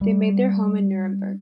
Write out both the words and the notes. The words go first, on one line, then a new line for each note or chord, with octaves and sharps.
They made their home in Nuremberg.
G3